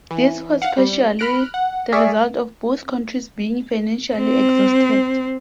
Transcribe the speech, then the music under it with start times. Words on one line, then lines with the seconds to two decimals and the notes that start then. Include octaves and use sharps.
This was partially the result of both countries being financially exhausted.
0.11 E3
0.62 F5 F#5
0.78 G3
1.19 B5 F6 F#6 A#6 D7
1.54 F#5
1.92 G#4 D5 E5 C#6 D#6 F6
4.16 C4